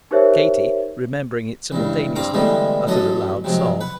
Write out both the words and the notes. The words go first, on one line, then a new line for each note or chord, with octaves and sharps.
Katie, remembering it simultaneously, uttered a loud sob.
D#4 G4 A#4 C5 C#5 E5
C#2 G2 E3
G2 C4 F5 A#5 D6
A2 D3 E3 G3 G#3 B3
A1 F#2 F#3 A4 D#5 D#6
C3 F3 F#3 G#3
B4 F#5